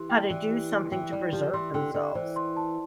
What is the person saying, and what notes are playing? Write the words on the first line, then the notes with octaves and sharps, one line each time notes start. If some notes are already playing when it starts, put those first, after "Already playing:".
how to do something to preserve themselves.
Already playing: E3 G4 C6
G5
E3 D5
G4
C6
E3 G5
G3 D5
F3 G4
E3 C6
D3 G5
D3 D5
E3 C5
C6
A5